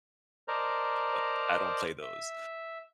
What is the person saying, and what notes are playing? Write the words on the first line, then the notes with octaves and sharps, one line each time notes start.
but I don't play those,
A#4 C5 D5 D#5 A5 A#5
E5